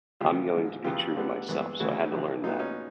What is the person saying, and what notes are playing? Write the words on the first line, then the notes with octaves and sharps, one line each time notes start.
I'm going to be true to myself, so I had to learn that.
D2 C3 E3 F4 G4
A1 G#2 F3
F2 C#3 E3 F4 G4
D2 D3 G3 B3
G2 E3 G#3 B3
D2 C#3 E3 A3 E4 F#4
F2 C3 E3
A2 F#3 B3 D#4 F4
C#4 D#4